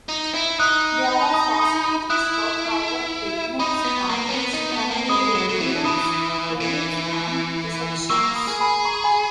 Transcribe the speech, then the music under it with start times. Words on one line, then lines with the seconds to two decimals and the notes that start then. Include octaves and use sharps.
There are facilities for private picnics, parties, family reunions, weddings and receptions.
0.09 D#4
0.35 E4
0.59 D#4 D#6 F#6
1.34 B5 D#6
1.59 B5 D#6
1.84 B5 D#6
2.10 E4 D#6 F#6
3.59 D#4 B5 D#6
3.85 B3
4.10 A#3
4.29 C#4
4.35 B3
4.53 D#4
4.72 B3
4.91 A#3
5.09 G#3 B5 D#6
5.35 F#3
5.49 F#3
5.60 E3
5.85 E3 B5 D#6
6.61 E3
8.10 A#3 C#6 E6
8.35 B5 D#6
8.48 G#4
8.60 G#5 B5
8.85 A#5 C#6
9.04 G#5 B5